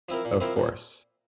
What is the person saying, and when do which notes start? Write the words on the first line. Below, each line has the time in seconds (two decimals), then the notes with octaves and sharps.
Of course.
0.09 F3 C4 E4 A#4
0.25 A#2
0.40 F3 C4 E4 A#4
0.56 A#2